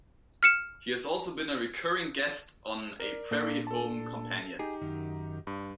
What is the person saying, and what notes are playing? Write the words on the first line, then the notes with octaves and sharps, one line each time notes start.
He has also been a recurring guest on "A Prairie Home Companion".
F6 C#7 E7
A#4 D5
A#2 A#3 D4 A4 D5
A4 A5
D#4 G4 G#4
F#2 D#3 F#3
G2